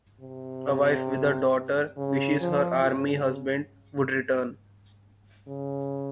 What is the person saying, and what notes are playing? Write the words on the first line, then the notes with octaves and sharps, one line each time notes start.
A wife with a daughter wishes her army husband would return.
C3
C#3
F3
C#3
C#3
C#3